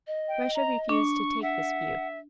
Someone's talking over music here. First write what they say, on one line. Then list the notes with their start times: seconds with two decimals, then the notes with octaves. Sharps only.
Russia refused to take this view.
0.07 D#5
0.28 G5
0.55 A#5
0.89 D4 C#6
1.42 E5 F#5